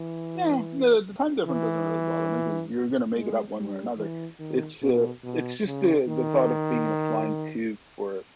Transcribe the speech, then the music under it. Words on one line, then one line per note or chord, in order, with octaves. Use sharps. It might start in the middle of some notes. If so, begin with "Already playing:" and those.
Yeah, the the time difference doesn't really bother me 'cause you're gonna make it up one way or another. It's uh, it's just the the thought of being in a flying tube for
Already playing: E3
E3
G#3
G3
E3
D#3
B2
B2
C#3
D#3